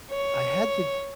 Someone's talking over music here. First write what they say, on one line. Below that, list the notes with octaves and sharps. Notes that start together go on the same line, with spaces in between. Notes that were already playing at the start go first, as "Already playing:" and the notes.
I had the
C#5